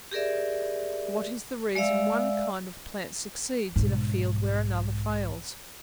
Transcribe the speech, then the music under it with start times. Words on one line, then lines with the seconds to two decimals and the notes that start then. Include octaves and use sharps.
What is the reason one kind of plant succeeds in a field where another fails?
0.12 G4 G#4 A#4 D5 E5
1.75 G#3 D5 E5 F5 E6
3.76 B1 G#2